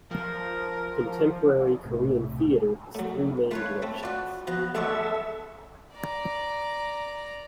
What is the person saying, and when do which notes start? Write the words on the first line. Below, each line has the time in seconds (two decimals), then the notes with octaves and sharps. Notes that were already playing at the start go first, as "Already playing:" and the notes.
Contemporary Korean theatre has three main directions.
0.11 F3 A#4
1.85 B1 A2 C3
2.95 A2 F#3
3.51 A3 F4 B4 C#5
3.82 A3 C4 A4
4.03 F4 F#4 B4 D5
4.47 F3 B3 F#4
4.75 A1 G#3 B3 A4 D5 E5 F#5 C#6
5.94 D5 A#5